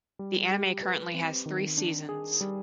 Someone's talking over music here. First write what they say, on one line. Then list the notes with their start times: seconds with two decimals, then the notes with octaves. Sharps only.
The anime currently has three seasons.
0.19 G3
0.51 G4
0.83 B4
1.14 C4
1.46 D#3
1.77 D4
2.09 G#4
2.41 G3